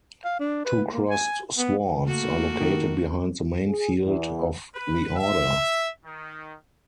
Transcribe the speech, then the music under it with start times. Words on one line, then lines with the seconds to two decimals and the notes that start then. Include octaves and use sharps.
Two crossed swords are located behind the main field of the order.
0.24 F5
0.40 D4
0.65 B4
0.93 A#3
1.10 G#5
1.57 B3
2.04 A3 A#3 F#4
2.60 D#3
3.67 G#4
4.04 E2
4.75 B4
5.16 E5
6.05 D#3